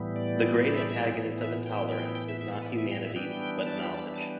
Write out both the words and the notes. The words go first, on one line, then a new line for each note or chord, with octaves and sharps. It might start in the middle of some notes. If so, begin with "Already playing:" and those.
The great antagonist of intolerance is not humanity, but knowledge.
Already playing: A2 E3 G3 B3
D5
D5
E5
D5
E5
D5
A2 E3 B3
E5
G5
G5
G5
E5
E5
A4
B4
D5
E5
G5
E5
E3 G3 B3 D4 G5
A5
B5
A5
B5
A5